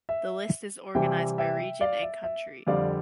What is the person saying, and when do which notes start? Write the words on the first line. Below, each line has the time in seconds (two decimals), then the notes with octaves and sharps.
The list is organized by region and country.
0.09 E5
0.95 C3 E3 G3 C4 E5 G5
1.38 E5 G5
1.81 D5 F5
2.03 E5
2.24 E5
2.67 F2 D3 G3 C4 D5 F5